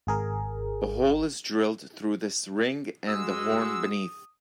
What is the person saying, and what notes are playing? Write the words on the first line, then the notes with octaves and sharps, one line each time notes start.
A hole is drilled through this ring and the horn beneath.
G#1 G#4 A#4
G#3 F#4 D#6 E6